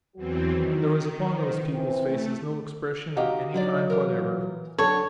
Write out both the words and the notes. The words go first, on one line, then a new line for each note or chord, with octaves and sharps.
There was upon those people's faces no expression of any kind whatever.
E2 E3 F#3 C4 F#4
D#3
F4 B4 C5
E3 C4
A3
D#4 F#4 G4 D#5 F5 A#5
D3 F#3 D#4 D5
E3 A#4
D3 F#3 D4 A4 C#5